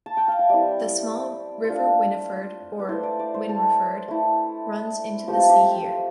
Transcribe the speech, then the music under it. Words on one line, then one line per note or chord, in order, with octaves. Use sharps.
The small River Winniford or Wynreford runs into the sea here.
A5
G5
F5
E5
G3 C4 E4 D5
C5
A3 D4 F4 D5
B4
A3 E4 C5
D5
D5
C5
A4
A3 E4
F3 A3 C4 G4
A4
G4